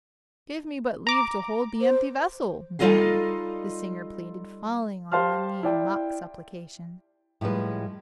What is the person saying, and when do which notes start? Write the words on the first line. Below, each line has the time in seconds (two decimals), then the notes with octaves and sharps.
"Give me but leave to hold the empty vessel, then," the singer pleaded, falling on one knee in mock supplication.
1.07 A#5 D6
1.81 C5
2.79 G3 D#4 F4 A4 D#5 F5
5.12 G4 C5 F5 A5 C6 F6
5.63 E4 D5 G5
7.41 A2 F3 G3 G#3 B4